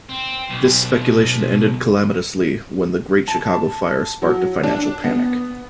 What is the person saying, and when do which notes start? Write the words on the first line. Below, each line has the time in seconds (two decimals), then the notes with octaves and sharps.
This speculation ended calamitously when the Great Chicago Fire sparked a financial panic.
0.09 C4
0.50 B1
3.28 A5
4.22 F#3
4.63 D4
5.04 B3